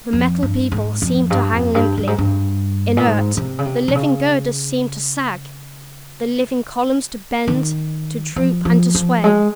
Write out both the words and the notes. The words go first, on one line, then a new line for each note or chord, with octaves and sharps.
The Metal People seemed to hang limply, inert; the living girders seemed to sag; the living columns to bend; to droop and to sway.
F2
G2
G#2
F2
G2
F2
G2
G2
G#2
G2
A#2
G#2
C3
C#3
C3
C3
C#3
D#3
F3
F3
F3
G#3